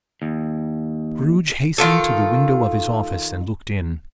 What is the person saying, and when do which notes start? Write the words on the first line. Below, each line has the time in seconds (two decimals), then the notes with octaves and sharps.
Scrooge hastened to the window of his office, and looked in.
0.22 D#2
1.78 D#3 F4 A4